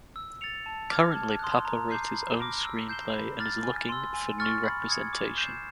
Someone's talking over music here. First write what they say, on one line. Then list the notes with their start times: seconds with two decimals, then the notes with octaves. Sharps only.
Currently Papa wrote his own screenplay and is looking for new representation.
0.16 E6
0.41 A6 C#7 F7
0.66 A5
0.91 D6 F6 G#6
1.16 A5
1.39 C6 D#6 F#6
1.65 A#5
1.90 D6 G6 C7 D#7
2.15 B5
2.40 D6 F6 A#6 D7
2.65 E6
2.89 G6 C7 E7 G7
3.14 B5
3.40 D6 F6 A6
3.63 G#5
3.89 C6 E6
4.14 G#5
4.38 C#6 F6 A6 C#7
4.63 B5
4.88 D#6 G#6 C#7
5.13 D6
5.38 G6 C7 E7